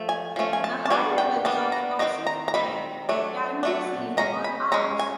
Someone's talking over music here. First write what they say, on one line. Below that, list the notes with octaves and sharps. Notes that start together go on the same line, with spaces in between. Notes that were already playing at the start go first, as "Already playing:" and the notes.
The high levels of toxicity can be seen for hours.
Already playing: F3 A3
G#5
F3 A3 C#4
G#5
A5
A5
G3 B3 D4 G#5
G5
G3 B3 D4 A5
A#5
D#3 G3 C4 D#4 A#5
A#5
A#5
D#3 G3 C4 D#4 B5
F#3 A3 D4
F#3 A3 D4
G#3 C#4 A#5
B5
G#3 C#4 A#5
G#5